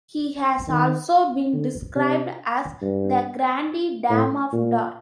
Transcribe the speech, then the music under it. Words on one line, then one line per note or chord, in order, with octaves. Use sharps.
He has also been described as "the grande dame of drag".
D#3
D3
C3
G2
A2
A#2